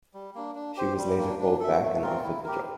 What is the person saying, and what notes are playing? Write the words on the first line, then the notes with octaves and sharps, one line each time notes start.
She was later called back and offered the job.
G3
A#3 D4
D4
G4 C5
G3
A#3 D4
D4
A4 E5
A3
C4 F4 A#4
E4
G4 A#4